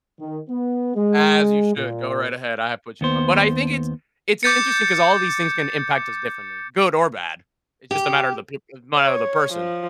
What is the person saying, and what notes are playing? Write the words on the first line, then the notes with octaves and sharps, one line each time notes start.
As you should. Go right ahead. I have put you on. But I think it's it's interesting 'cause all these things can impact us differently, good or bad. It's just a matter of the peop a matter of the person.
D#3
B3
G#3
A#2
D#2 B3 C5
D6 G6 A6 C#7
G4
C#5
F3